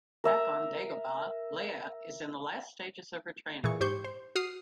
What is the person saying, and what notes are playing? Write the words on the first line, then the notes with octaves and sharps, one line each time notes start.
Back on Dagobah, Leia is in the last stages of her training.
A#4 E5 A#5
A#2 E3 G#4 C#6
G#2 G4 C5 C#6 G6
C5
F#4 D#6 F6 C7